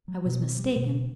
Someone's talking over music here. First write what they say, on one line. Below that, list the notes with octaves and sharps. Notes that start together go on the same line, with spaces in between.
I was mistaken.
F#3
B2
C4
G3
B2
B2